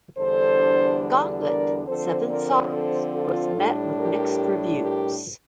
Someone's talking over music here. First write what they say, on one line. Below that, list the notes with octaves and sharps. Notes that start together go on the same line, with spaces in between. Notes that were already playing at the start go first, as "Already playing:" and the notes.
"Gauntlet: Seven Sorrows" was met with mixed reviews.
E2 D3 G3 D4 A4 C5
A#4 D5
D3 F3 C4 A4 C5
A#4 D5
A4 C5
F4 A4
A2 G3 D4
G4 A#4
G4 A#4